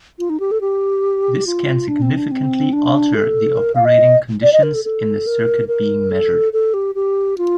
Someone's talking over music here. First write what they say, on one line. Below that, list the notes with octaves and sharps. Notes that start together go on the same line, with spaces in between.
This can significantly alter the operating conditions in the circuit being measured.
F4
D#4
G4
A4
G4
F4
D4
C4
D4
C4
D4
A4
A#4
F5
D#5
D5
D#5
A#4
A4
A4
A#4
A#4
A4
A4
G4
G4
F4